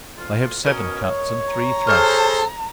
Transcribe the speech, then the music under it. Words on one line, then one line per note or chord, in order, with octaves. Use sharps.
They have seven cuts and three thrusts.
D2 F4
B2 C#4 A#4 D#5
C#5
A#5
G#4 A4 C5 F6 G6